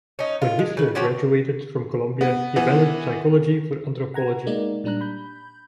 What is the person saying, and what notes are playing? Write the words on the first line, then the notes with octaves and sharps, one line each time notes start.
When Wissler graduated from Columbia he abandoned psychology for anthropology.
C#4 D#4
F4
G#3
C#3 B4
F3 C#4 F#4 G4
B3
E3 B3
F#5 A#5 G#6
G#3 A#3 D#4 D5
A#2 G3 D4 A#5 F#6
B5 G6